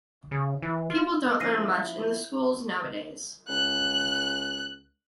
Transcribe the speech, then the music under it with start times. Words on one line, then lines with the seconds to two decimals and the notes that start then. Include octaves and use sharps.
People don’t learn much in the schools nowadays.
0.31 C#3
0.62 E3
0.90 F4
1.40 F3 A#3 C#4 E4 C5 A#6 C7 D#7
3.49 C#2 F#6